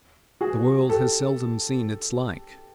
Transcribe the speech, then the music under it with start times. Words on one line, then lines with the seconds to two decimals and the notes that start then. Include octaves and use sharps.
'The world has seldom seen its like.'
0.41 F#4 G#4
0.89 G4 A4